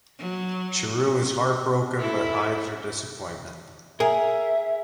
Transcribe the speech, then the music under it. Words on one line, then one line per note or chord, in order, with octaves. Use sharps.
Charu is heartbroken but hides her disappointment.
F#3
E4 A4
G#4 A#4 E5